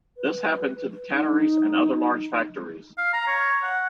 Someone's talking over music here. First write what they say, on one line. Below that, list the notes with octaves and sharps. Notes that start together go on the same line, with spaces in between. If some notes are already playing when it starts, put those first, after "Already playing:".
This happened to the tanneries and other large factories.
B4
D#4
F5
A#5
C#5
F#5